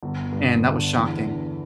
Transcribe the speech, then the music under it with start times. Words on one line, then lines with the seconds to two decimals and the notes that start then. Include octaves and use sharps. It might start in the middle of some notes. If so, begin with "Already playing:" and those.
and that was shocking.
0.03 G1
0.33 G2
0.63 D3
0.94 E2
1.25 D3